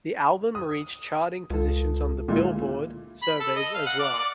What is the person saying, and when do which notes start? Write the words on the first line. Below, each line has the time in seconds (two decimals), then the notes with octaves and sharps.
The album reached charting positions on the "Billboard" surveys as well.
0.55 D#6
1.50 C#2 F4 A4
2.28 A#2 D3 G#3 E4
3.22 B5
3.40 A4
3.56 D#5
3.75 F5
3.86 F#5
3.99 D5
4.19 D5